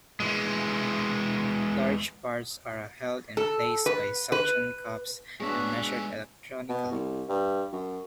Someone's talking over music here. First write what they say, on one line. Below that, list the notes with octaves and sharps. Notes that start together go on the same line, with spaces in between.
Large parts are held in place by suction cups and measured electronically.
E3 G#3
A4
B4
B4
G#3 B3 D4 F#4 G#4 C#5 E5
B2
C2
G2
F#2